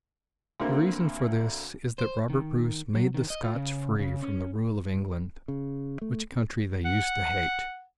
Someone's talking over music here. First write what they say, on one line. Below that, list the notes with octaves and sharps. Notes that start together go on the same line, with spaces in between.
The reason for this is that Robert Bruce made the Scots free from the rule of England, which country they used to hate.
D2 D3 A#3 C4
C5
D#3
F#3
D#3
D#5
F4
C#3
C#3
C#4
C#3
A3
F#5